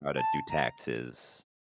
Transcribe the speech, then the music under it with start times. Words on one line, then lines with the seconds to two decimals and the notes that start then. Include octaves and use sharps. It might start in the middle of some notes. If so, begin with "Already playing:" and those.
How to do taxes.
0.17 A5
0.50 A#5